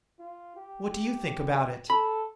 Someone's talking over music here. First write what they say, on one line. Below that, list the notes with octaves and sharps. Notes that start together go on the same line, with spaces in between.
"What do you think about it?"
F4
G4
A4 B5